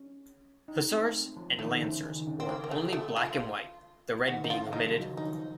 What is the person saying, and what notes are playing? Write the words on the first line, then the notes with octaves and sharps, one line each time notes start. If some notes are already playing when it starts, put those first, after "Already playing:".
Hussars and lancers wore only black and white, the red being omitted.
Already playing: C#4
D#4
C4
A3
F3
D#3 A3
F3
D#3
C#3
D#3
D#3
C#3
C4
A#3
A#3
A3
A3
F4
D#3 F#4
D#4
C#3 F4
C#3 D#4
F#3
F3
D#3
F3 D#4